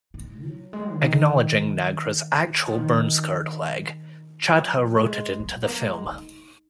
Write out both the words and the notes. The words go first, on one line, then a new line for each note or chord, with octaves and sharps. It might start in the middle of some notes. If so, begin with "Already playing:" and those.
Acknowledging Nagra's actual burn-scarred leg, Chadha wrote it into the film.
G#2
F#3
G#3
D3
D#3
F3
D#3
F3
G#3
F#3
A#3
G#3
D#4